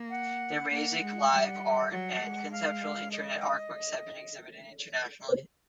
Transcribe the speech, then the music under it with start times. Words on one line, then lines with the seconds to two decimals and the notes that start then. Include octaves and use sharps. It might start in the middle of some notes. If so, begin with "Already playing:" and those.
Their music, live art and conceptual Internet artworks have been exhibited internationally.
Already playing: A#3
0.10 F#5
0.71 A#3 F#5
1.01 G#3
1.31 G3
1.91 F#3 F#5
2.21 G#3
2.51 F5
3.12 D#5